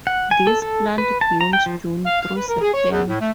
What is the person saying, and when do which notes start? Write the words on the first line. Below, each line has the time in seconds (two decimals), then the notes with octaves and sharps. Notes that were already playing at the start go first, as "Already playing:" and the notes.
This plant blooms June through September.
0.07 F#5
0.31 G#5
0.47 A4
0.62 A4
0.98 B4
1.21 A5
1.41 A#5
1.53 G5
1.66 F3
2.05 F5
2.21 F5
2.35 B4
2.48 A#4
2.61 G#4
2.73 C#5
2.90 E2
3.07 A2
3.20 A3